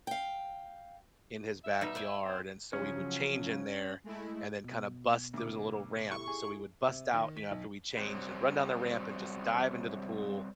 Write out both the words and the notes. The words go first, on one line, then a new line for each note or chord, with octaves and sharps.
in his backyard, and so we would change in there, and then kinda bust there was a little ramp, so we would bust out, you know, after we changed, and run down the ramp, and just dive into the pool,
F5 G5
E5
B2 G3 D#4
C5 D5 G#5
C4
C#3 F3 F#3 C#4
G#3 A3 E4
B2
D2 D6
E4 G4 A4 C#6
G#4
C3
D#3
B6
B1
F#3 G3 B3 C4 G4